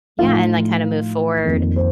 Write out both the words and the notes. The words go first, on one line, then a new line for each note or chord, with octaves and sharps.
Yeah, and, like, kinda move forward.
A2 F3 A3 D#4 F4 F5
F2 D#3 A#3
C5